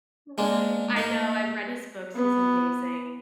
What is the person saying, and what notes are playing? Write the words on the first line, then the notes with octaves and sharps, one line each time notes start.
Right. I know I've read his books. He's amazing.
G#3 A#3 D4
A#3 D#4
B3